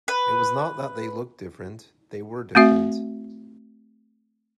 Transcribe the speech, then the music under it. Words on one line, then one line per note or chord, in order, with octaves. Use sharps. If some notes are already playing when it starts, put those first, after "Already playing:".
It was not that they looked different; they were different.
B4
A3 C4 F#4 E5